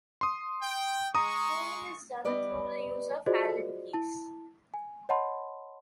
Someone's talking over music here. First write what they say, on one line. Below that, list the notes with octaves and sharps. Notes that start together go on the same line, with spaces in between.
Tuning is done through the use of Allen keys.
C6 D#6
G5
G#3 A#5 C#6 D#6
G3 B3 B4 D5 D#5
F4 F#4 G#4 C5 D5 D#5
E4 A5
G#5
C#5 D#5 F#5 A5 B5 C6